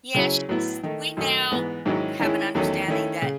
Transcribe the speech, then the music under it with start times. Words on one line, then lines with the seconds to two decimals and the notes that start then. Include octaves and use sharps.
Yeah, she’s we now, mm, have an understanding that,
0.15 C#3 F#3 C#4 E4
0.49 A2 F#3 B3 E4
0.83 D#3 A3 D#4
1.17 F#2 D#3 A3 D#4
1.51 G#2 E3 B3
1.86 G#2 D#3 F#3 C#4 E4
2.19 D#3 G#3 C#4 E4
2.55 E2 D#3 F#3 A3 C#4
2.88 D#3 A3 C#4 E4
3.22 C#3